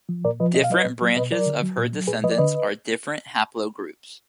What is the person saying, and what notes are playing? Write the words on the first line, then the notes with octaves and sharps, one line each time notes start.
Different branches of her descendants are different haplogroups.
F3
A#2 A#4 D5
F3 B4 D#5
B2 D#5
F5
F#3 B4 D#5
A#2
F#3
B2 B4 D#5
F#3 A#4 D5
D3
F#3
A#2
F#3
A#2 G#4 B4
F3 B4 D#5
D5
D3 B4 D#5